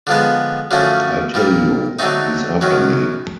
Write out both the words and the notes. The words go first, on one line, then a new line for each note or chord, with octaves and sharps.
I tell you he's after me.
D3 F3 G#3 B3
F#2 D3 F3 A3 C#4
A#2 G3 A#3
D3 F#3 A3 C4 D#4
F#2 D#3 F#3